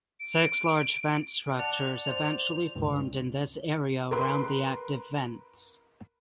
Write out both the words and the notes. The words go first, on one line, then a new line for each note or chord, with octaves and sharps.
Six large vent structures eventually formed in this area around the active vents.
D7
D5 F#5 A5 F7
C5 D5
C#2 G2
A#4 B4 C6